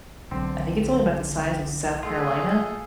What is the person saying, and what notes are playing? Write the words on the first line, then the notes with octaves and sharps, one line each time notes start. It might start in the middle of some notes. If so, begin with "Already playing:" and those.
I think it's only about the size of South Carolina,
B1 D3 C4
A3 F4 G#4 A4